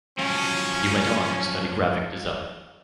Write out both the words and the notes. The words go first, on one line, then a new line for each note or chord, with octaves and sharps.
He went on to study graphic design.
F3 F#3 C#4